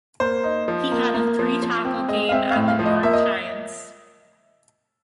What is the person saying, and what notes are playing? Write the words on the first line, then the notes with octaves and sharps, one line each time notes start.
He had a three-tackle game at the New York Giants.
A#3 C5
D#4
F3
A#3
A#3
F3
F3
C4
G#3 D#5
F5
C4 E5
F5
A2
F5
F3
D#5
A#3 E5
D#5